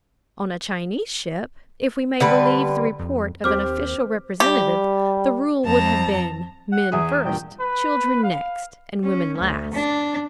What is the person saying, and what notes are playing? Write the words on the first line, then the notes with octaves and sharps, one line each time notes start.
On a Chinese ship, if we may believe the report of an official representative, the rule would have been "Men First, children next, and women last."
D3 G3 B4
F2
D#2 C4 G4 C5 D6 F6
G3 G4
F2 A5 A#5
F#5
E2 G#4 E5 D#6
E2 G2 A#2 G5
B4
F5
C#4
D2
D4